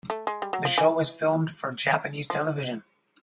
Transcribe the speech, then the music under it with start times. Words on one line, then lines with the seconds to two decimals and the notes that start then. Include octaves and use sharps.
The show was filmed for Japanese television.
0.10 A3
0.27 G#3
0.42 G3
0.53 F#3
0.65 F3
0.78 E3
2.30 F3